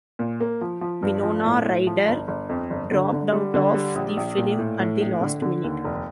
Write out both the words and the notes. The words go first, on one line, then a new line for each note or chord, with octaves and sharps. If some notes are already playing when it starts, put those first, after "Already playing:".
Winona Ryder dropped out of the film at the last minute.
A#2
A#3
F3
F3
G2
F3
A2
A2
F3
G1
G1
F2
G1
D3
D3
G3
D3
G3
A#1
A#1
A#2
A2
A2
A#1
D3
D3
D#2
F1